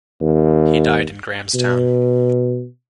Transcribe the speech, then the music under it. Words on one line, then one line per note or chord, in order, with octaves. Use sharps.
He died in Grahamstown.
D#2
B2